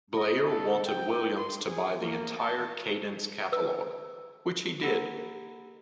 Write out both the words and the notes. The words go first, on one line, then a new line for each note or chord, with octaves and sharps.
Bleyer wanted Williams to buy the entire Cadence catalogue, which he did.
D#5
A4
G5
C6
G#4
A#3
A5
B4 E6
A#3 G4 F#5 A#5 B5 D7